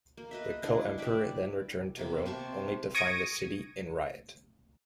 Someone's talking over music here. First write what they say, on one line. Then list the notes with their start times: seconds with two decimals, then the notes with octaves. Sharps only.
The co-emperor then returned to Rome, only to find the city in riot.
0.17 A#3
0.31 B4 D#5 E5
0.63 D4 E4 D#5 F5
0.98 G4 B4 D5 E5
1.98 C3 A#3 B3
2.26 C3 C5 A5 C#6
2.95 C#6 D#6 G#6 A#6 D7 D#7